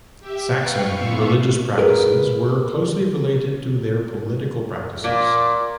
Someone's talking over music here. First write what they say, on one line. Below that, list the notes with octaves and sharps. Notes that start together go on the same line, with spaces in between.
Saxon religious practices were closely related to their political practices.
G4 E5
B4 F5 G5 C#6
A#2 B3 F4 E5 F5 C#6
G#4 A#4 B4
A#2